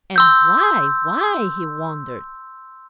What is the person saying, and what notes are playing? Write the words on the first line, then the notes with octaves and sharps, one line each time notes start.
"And why--why?" he wondered.
C6 E6 G6